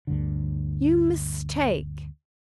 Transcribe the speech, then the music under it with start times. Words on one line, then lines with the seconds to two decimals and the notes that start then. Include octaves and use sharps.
You mistake.
0.07 D2 G2 D3